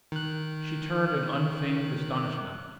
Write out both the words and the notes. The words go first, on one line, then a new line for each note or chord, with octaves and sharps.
She turned in unfeigned astonishment.
D#3 F#6